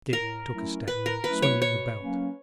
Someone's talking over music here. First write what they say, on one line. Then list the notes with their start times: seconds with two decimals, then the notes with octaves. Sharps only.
Dick took a step, swinging the belt.
0.13 A2 A#4
0.51 F#3 A3 C#4 E4
0.87 A2 B4
1.06 A#4
1.24 F#3 A3 C#4 E4 B4
1.42 C#5
1.62 B2 C#5
1.99 F#3 A#3 C#4